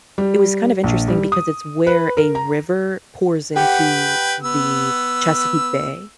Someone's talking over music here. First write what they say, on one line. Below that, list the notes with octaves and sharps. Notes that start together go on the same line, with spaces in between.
it was kind of interesting because it's where a river pours into the Chesapeake Bay,
G3
A#1
G3
D#6
B4
A#4
A#5
G4 B4 F#5 G5
B3 E6